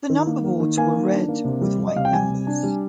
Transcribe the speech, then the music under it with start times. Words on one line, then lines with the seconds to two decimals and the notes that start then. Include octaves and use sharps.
The numberboards were red with white numbers.
0.10 D#3
0.27 A#3
0.44 A#3
0.60 D#3
0.77 A#3 G#5
0.94 D#3
1.12 D4
1.29 A#3
1.45 C3
1.61 G3
1.79 G3
1.88 D#5
1.96 C3 F5
2.05 G5
2.13 G3 G#5
2.30 C3
2.47 D4
2.63 G3